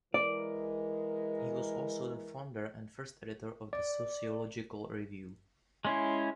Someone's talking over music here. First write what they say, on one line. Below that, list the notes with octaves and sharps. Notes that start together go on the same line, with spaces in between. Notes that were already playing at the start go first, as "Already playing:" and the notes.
He was also the founder and first editor of "The Sociological Review".
E3 G#3 A#4 D5
D5
G#3 C#4 E4 C6